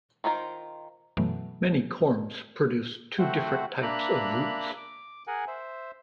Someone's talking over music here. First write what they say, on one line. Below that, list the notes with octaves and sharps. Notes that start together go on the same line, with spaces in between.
Many corms produce two different types of roots.
D#3 F4 A#4 C5
F#2 B2 E3 F#3 A3 B3
A3 C4 F#4 C5 E5 F#5
A#3 D4 E5 A#5 B5 F#6
D6
G#4 A#4 F#5 G#5
C5 E5